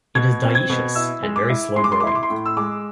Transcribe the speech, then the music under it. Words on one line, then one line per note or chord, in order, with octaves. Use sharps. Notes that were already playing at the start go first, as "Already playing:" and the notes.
It is dioecious and very slow-growing.
B2 G#6
C4
G#6
B2
E4 E6
G#3
D6
E4
G#3 C6
D6
C6
D6
E4 C6
D6
C6
A2
E6
G#3 D6